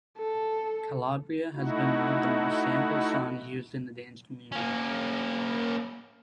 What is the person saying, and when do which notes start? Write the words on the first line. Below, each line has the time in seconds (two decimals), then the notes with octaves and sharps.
"Calabria" has been one of the most sampled songs used in the Dance community.
0.17 A4
1.54 A3 D#4 E4 F#4
4.52 A#3 C#4